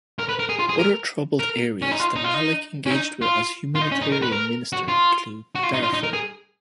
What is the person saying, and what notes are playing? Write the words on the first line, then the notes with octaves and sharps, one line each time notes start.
Other troubled areas that Malik engaged with as Humanitarian Minister included Darfur.
A#4
B4
A#4
G#4
F4
G#4
A#4
A#4
C#4
D#4
F4
D#4
F4
D#4
C#4
D#4
F4
F4
D#4
C#4
D#4
A#4
B4
A#4
F#4
F4
F#4
F4
D#4
F4
D#4
A#4
G#4